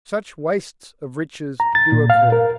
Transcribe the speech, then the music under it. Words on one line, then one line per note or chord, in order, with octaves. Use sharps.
Such wastes of riches do occur.
A#5
A6
A#2
F5
A#4